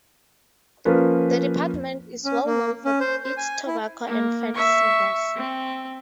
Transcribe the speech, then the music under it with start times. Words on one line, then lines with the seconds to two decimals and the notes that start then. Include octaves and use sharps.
The department is well known for its tobacco and fine cigars.
0.85 F3 A#3 C#4 B4
2.25 C#4
2.46 A#3
2.85 C#4
3.00 C5
3.24 C5
3.37 G#5
3.67 E4
4.06 A#3
4.54 E5 C#6
5.36 C4